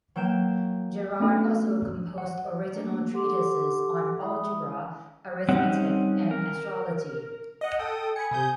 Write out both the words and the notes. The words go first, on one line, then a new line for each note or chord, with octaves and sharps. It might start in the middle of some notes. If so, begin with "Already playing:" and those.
Gerard also composed original treatises on algebra, arithmetic and astrology.
F#3 A#3 G5 E7
A3 B3 C#4 D4 F#4 A4
F#5
A3 A#3 D4
G4 A4 F#5 C6 D6
G#3 E4 G#4 E5 B5 D#6
G3 C4 C#4 D#4 F#5
A#4
D#5 F#5
A4 G5 D#6
G#5 B5 C#7
C3 D#6 G6